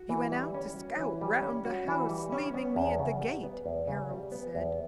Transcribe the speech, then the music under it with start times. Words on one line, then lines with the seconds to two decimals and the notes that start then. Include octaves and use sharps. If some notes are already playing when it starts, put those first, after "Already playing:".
"He went out to scout round the house, leaving me at the gate," Harold said.
Already playing: F#4
0.09 E3
0.32 G3
0.54 C#4
0.76 F#4
0.99 E3
1.21 G3
1.43 C#4
1.65 F#4
1.88 E3
2.10 G3
2.32 C#4
2.54 B3
2.76 E2
2.99 C#3
3.21 G3
3.43 B3
3.66 E2
3.88 C#3
4.10 G3
4.32 B3
4.55 E2